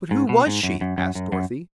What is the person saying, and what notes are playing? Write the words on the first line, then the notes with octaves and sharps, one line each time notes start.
"But who was she?" asked Dorothy.
G#2
B2
G#2
F#2
F#2
F#2
F#2
F#2